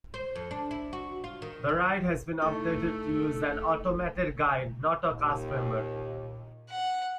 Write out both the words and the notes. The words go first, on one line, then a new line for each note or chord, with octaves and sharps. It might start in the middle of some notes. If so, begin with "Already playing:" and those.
The ride has been updated to use an automated guide, not a cast-member.
C5
F2
D4
E4
F#4
F4
D#3
D#2
A3 D#4 E4 C#6
D#2 A#2
F#5